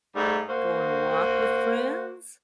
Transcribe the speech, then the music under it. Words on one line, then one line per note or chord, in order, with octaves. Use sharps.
go on a walk with friends,
G#2 G3 A3
A#3 F#4 C5